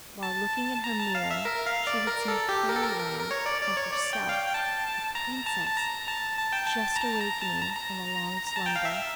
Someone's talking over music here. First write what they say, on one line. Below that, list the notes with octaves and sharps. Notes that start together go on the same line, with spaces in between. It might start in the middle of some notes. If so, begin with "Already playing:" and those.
While looking in her mirror she had seen fairyland and herself, a princess, just awakening from a long slumber.
A5
A#5
A5
F5
E5
A#4
F5
D5
A#4
A4
G4
A#4
A4
A#4
A#4
A#4
C#5
D5
D5
C#5
D5
G5
F5
G5
G5
A5
A#5
A5
A5
A#5
A5
A5
G5
A5
A#5
A5
A#5
A5
A#5
A#5
A#5
A5
G5
F5
E5